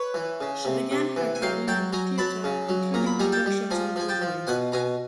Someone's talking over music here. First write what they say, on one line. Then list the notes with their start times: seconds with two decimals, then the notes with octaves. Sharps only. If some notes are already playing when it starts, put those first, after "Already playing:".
She began her career in the theater, including productions on Broadway.
Already playing: B4 C#5
0.14 E3
0.41 C#3
0.65 C3
0.91 C3
1.16 E3
1.35 G#5
1.42 F#3 F5 G5
1.68 F#3 G5 A5
1.93 F#3 G#5 A#5
2.18 F#3 A5 B5
2.44 C#3
2.69 F#3
2.94 A#2 A#5
3.06 B5
3.19 G3 G#5 A#5
3.32 G5 A5
3.46 G3
3.70 F3 G#5 A#5
3.96 F3 G#5
4.09 G5 A5
4.21 F3
4.47 B2 F#5 G#5
4.72 B2 G#5 A#5